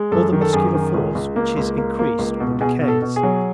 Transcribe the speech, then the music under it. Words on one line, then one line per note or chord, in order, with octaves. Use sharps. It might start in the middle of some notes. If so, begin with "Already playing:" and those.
Or the muscular force, which is increased or decays.
Already playing: G#3
F#2 A4
D#3
A4
F#2 G#4
D#3
C#2
C#2
A#3
C#2
A#3
A#3
C#2
B2
B2 G#4
B2
A4
B2
G#4
F#3